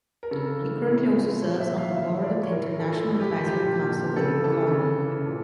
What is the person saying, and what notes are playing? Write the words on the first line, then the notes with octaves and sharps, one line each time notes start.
He currently also serves on the board of the International Advisory Council at Bocconi.
A#4
C#3 A4
E3
A2
F3
A#2 C#5
E5
F3
F5
A2 E5
F3 D5
C#5
A2 A#4
F3 A4
A2
G4
F3 G4
G4
A#2
F3
C#3 A4
E3 A4
C#3
E3
A#2